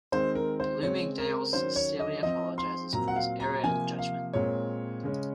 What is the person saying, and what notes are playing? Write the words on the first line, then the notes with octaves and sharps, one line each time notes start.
Bloomingdale's sincerely apologizes for this error in judgment.
D#3 G#3 C4 C5
A#4
C5
C#3 G#3 C4 C#5
A#4
D#3 F#3 C#4 C5
C#5
D#5
F3 C4 D#5
C6
A#2 F#3 C4 A#5
F#5
F5
A#5
C3 F3 A#3 G#5
F5
A#2 G#3 C4 C#5
C#3 G#3 C#4